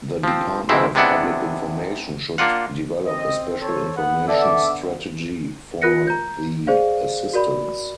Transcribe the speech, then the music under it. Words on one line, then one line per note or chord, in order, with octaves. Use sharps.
The Department of Public Information should develop a special information strategy for the assistance.
F3 C4
F2 G#2 B2 G#3 C4 E4
C3 G#3 B3 D4 E4 F#5
A#3 D4 F4 F#5
C4 D#5
A4 C5 C#5
B3 F#5
D3 B3 D4 A4 E5 D6
F4 A#4 F#6 A#6 C#7
A#5 G6
G#4 C5 D5 F5
F#4 A#4 D5 B5